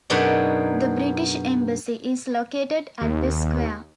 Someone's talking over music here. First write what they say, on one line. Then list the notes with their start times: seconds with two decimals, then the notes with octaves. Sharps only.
The British Embassy is located at the square.
0.10 F#2 B2 B3 D4 D#4 G#4
3.01 D#2